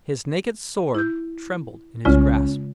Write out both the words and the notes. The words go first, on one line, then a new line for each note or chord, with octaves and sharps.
His naked sword trembled in his grasp.
E4 G6
C2 C#3 G#3 C#4 F4